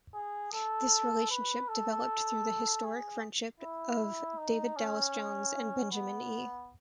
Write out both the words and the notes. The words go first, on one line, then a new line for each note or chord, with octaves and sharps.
This relationship developed through the historic friendship of David Dallas Jones and Benjamin E.
G#4
A4
B4
A4
G#4
E4
D#4
C#4
B3